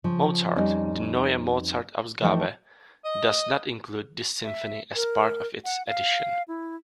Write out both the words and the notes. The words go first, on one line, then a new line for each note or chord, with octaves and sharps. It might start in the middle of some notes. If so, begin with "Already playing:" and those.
Mozart, the Neue Mozart-Ausgabe does not include this symphony as part of its edition.
C#3 F3
F2 G3 C#4 D#4
E3 F3 A3 D#4 G5
D#5
E5
A#4
F#5
F5
E4